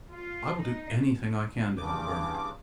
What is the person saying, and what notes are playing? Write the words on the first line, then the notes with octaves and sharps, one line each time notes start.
I will do anything I can to help Bernard.
F4
D#4
E2 G2 C#3 D6